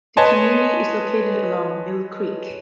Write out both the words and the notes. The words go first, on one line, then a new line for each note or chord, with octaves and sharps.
The community is located along Mill Creek.
B4 C#5 D#5 G#5 A5 C6